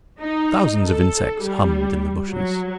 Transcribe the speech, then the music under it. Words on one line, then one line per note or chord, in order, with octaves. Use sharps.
Thousands of insects hummed in the bushes.
D#4
A4
G3
F#3